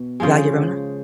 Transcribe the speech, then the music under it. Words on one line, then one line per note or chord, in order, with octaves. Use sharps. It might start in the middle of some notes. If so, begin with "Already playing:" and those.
La Llorona.
Already playing: B2
C#3 F3 G#3